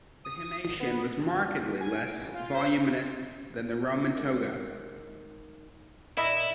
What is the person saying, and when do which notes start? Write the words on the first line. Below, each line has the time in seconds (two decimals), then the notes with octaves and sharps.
The himation was markedly less voluminous than the Roman toga.
0.25 D#6
0.65 G#1
0.80 B3
1.18 G2
1.81 G#5
1.99 D7
2.18 A1
2.34 F4
2.54 C5
4.16 D#3 G#3
6.17 A#2 E4 D#5 E5 B5